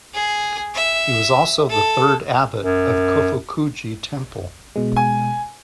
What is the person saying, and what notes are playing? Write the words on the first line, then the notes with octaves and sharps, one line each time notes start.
He was also the third abbot of Kofukuji Temple.
G#4
E5
A4
F#2
B2 G#3
G#5